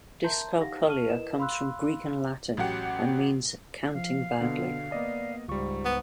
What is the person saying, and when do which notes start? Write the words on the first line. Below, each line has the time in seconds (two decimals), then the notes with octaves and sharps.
Dyscalculia comes from Greek and Latin and means "counting badly".
0.24 A#4 E5 A5 A#5 C6 G6
0.57 D#4 G4 F5 F#5 A#6
0.87 A5 C#6 F6 D#7
1.09 E4 A#4 B4 D#5 E7
1.38 F5 B5 C6 E6 F#6
2.57 A1 F#3 G4 F#5
3.95 F3 F5
4.41 B2 D3 B3
4.92 A#3 B3 D5 D#5
5.48 C#2 G#2 G3 F4 C#6
5.85 B3